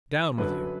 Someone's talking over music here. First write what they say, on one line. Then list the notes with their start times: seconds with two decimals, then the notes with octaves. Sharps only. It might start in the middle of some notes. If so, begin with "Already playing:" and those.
"Down with you!"
0.37 F#2 D3 F#3 B4